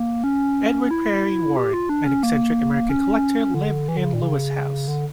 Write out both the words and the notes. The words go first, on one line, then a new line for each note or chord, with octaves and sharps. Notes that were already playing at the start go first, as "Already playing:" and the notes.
Edward Perry Warren, an eccentric American collector, lived in Lewes House.
Already playing: A#3
C#4
E4
G4
F4
D4
C#4
A#3
C#4
D3
E3
D3
C#3
A#2
C#3
D3